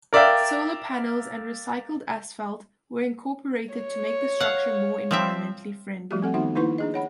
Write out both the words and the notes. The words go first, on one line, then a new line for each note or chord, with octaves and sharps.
Solar panels and recycled asphalt were incorporated to make the structure more environmentally friendly.
A#4 D5 E5 F5 G5
C#5
F5 F#5
F3 C4 E5
F3 G3 A3 F#4 G4
C4 A4 F#5
D#3 B3 D#4 F#4 E5 F#5
D#3 A#3 D#4 E4 B4 C#6
D4 G#4 D#5
C#5 F#5 B5